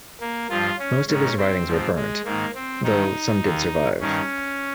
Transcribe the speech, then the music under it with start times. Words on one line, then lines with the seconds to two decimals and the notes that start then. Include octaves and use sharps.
Most of his writings were burned, though some did survive.
0.21 A#3
0.49 G2 F3 F4
0.79 C#4
1.08 G#2 C#4
1.13 D#3
1.37 C4
1.66 G#2 F3
1.96 G#3
2.24 G#2 D#3 A#3
2.55 C4
2.83 G2 D#3 D#4
3.42 D#2 D#3
4.00 G2 D#3 C#4